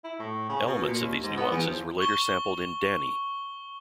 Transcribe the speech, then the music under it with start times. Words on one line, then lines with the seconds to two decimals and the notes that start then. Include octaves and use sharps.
Elements of these nuances were later sampled in Danny!
0.04 E4
0.19 A2
0.49 C#3
0.66 B2
0.87 A#2
1.00 D#2
1.22 G#2
1.37 B3
1.51 E2
1.67 F3
1.99 C#6 G7